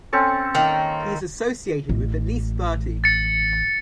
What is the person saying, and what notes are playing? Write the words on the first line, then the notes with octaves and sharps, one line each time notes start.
He is associated with at least thirty.
C4 C#4 A4
D#3 A#3
A1
A6 C#7